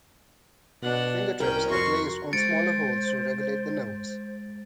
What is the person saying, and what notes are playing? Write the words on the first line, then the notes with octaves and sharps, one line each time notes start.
Finger tips are placed on smaller holes to regulate the notes.
B2 D4 F#5
C2 C#4 A#4 G5
F2 F#4 C6 C#6
G#3 C5 A6 C#7 D7